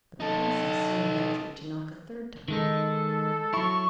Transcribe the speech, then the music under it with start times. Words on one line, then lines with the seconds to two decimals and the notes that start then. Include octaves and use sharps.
But the princess soon ventured to knock a third time.
0.20 D#4 A4
2.48 D#3 G#3 D#4 A4
3.53 F#3 E4 C#6